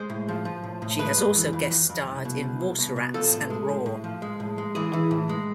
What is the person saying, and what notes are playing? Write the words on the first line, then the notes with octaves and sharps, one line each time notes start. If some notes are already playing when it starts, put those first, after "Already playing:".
She has also guest starred in "Water Rats" and "Roar".
Already playing: G#3 C5
A2
F3
F3
A2
A2
G#3 B4
F2
E3
F2
F2
F2
C2
B2
C2
C2
B2
B2
F3 A4
A2
G#3
A2
A2
F3
G#3
A2
G#3
E3 G#4
E3
A2
G#3